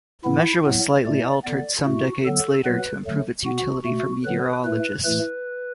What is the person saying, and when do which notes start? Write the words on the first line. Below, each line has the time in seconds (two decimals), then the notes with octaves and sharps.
The measure was slightly altered some decades later to improve its utility for meteorologists.
0.24 A2 E3 B3 E4
0.65 A2 F#3 B3
1.05 A2 A3 D5
1.44 D3 B3 D5
1.85 A2 A3 F#4
2.25 D3 F#3 B3 A4
2.65 B2 F#3 B3 B4
3.05 D3 F#3 A3
3.45 B2 B3 F#4
3.84 B2 A3 F#4
4.24 D3 F#3 B3 B4
4.64 A2 A3 B4
5.04 A2 E3 A3 B4